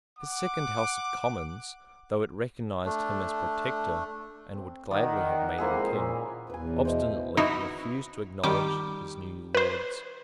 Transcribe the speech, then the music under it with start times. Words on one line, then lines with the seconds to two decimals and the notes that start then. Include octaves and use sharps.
His second House of Commons, though it recognised him as Protector, and would gladly have made him King, obstinately refused to acknowledge his new Lords.
0.18 F#5 D6
2.85 A3 D4
4.54 C4
4.91 D#3 D5 F#5 D#6
5.58 F2 D#3 G#3 A#3 E4 G#4 C5
5.94 A#2 C#4
6.50 E2 B4 G#5
6.85 B2 E3 C5
7.37 D#4 E4 F#4
8.44 D#3 G3 D6
9.55 B4 C5